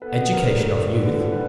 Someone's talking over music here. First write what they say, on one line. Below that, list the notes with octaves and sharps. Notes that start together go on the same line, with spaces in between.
Education of Youth.
B3 A4 B4
G3 A#4 C5
G3 A4 B4
D3 A4 B4
G3
B4